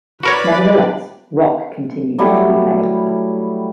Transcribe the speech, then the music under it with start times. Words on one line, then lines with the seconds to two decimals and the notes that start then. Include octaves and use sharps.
Nevertheless, rock continued to be played.
0.23 F#4 A#4 B4 C#5 D5 B5
2.18 F#3 G3 A3 E4